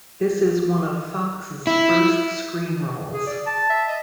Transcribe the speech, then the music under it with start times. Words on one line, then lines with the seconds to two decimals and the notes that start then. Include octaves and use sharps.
This is one of Fox's first screen roles.
1.67 E4
3.14 G#4
3.27 D5
3.46 A5
3.70 E5
3.88 D#5